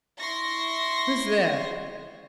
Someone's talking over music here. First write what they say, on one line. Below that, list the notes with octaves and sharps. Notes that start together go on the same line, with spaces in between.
Who's there?
E4 C6 C#6 A#6